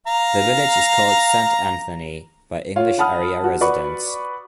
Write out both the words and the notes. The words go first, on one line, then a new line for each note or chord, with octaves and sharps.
The village is called Saint Anthony by English area residents.
F5 A#5
F4 C#5 F5
F#5 A5 B5 D#6 F6
F#4
F#4 B4 D5 B5 C#6